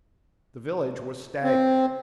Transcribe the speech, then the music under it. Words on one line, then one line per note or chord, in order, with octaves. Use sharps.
The village was staggered.
C4